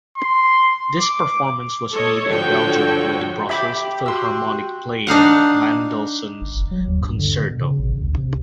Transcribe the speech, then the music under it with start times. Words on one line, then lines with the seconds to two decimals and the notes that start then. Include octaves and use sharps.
This performance was made in Belgium with the Brussels Philharmonic playing Mendelssohn's concerto.
0.17 C6
0.98 D6
1.92 A4 C#5 D#5
2.27 D3 F3 F#4 C#5 G5
3.49 G4 E5 B5 D6
4.06 F#4 C6 E6
5.07 D4 D#4 F5 F#5
6.41 G1
6.58 E1
6.71 F#3
6.87 D#2
7.01 G2
7.19 D3
7.40 B2
7.60 C#3
7.79 A1
8.01 D2
8.17 C3